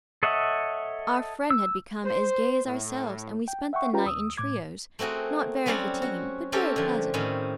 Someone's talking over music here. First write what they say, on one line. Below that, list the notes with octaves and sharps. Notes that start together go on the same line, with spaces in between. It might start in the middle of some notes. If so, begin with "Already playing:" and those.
Our friend had become as gay as ourselves, and we spent the night in trios, not very fatiguing, but very pleasant.
A4 C#5 D#5 E5 F#5
E6
C5
A2
G5
E5 F#5 G5 C#6
C#4 F4 G4 B4 G5 A#5
D#2 D#6 E6
A2 D6 G#6
A3 C4 F#4 G#4 A#4
F#3 G3 C4 C#4 D5 F#5
F#4
A3 C4 C#4 G4 A4 A#4
D3 F3
A2 D#3 C4 C#4